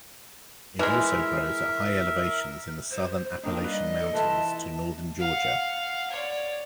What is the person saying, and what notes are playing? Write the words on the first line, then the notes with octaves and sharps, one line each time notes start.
It also grows at high elevations in the southern Appalachian Mountains to northern Georgia.
E3 G#3 A#4 E5
C5
A#3 C4 D4 D#4
G3 B4 D#5
A4
E3 E4 F4 E5 A5
F5 F#5
C#5 D5